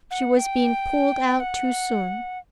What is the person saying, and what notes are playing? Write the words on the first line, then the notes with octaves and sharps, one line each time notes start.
She was being pulled out too soon.
F#5
G5
F#5